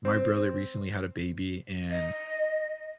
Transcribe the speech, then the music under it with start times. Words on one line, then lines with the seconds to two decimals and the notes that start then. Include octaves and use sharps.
my brother recently had a baby, and
0.05 C4
1.90 D#5